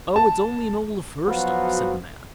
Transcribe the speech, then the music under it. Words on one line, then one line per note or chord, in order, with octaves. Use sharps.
'Oh, it's only an old fir-stump', said the man.
A5
F3 F#3 B3 F4 F#4